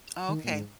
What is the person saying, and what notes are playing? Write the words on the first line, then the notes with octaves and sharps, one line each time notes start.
Oh, okay.
D#3
A#2
G#2